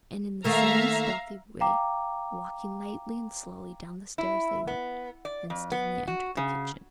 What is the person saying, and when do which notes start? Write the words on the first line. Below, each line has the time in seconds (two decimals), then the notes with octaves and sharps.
And in the same stealthy way, walking lightly and slowly, down the stairs they went, and Stanley entered the kitchen.
0.44 D#3 A3 A#3 E5 F5 A#5
1.60 F5 G5 A#5 D6
4.18 E4
4.67 B3
5.25 D5
5.50 F2
5.72 B3
6.07 F#4
6.37 C#3